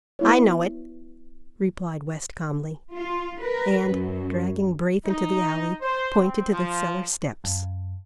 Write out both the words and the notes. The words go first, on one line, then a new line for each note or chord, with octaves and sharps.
"I know it," replied West calmly; and, dragging Braith into the alley, pointed to the cellar steps.
B3 E4 C#5
F4
A#4 B4
F#2
D#4
C5
C4
F3
F#2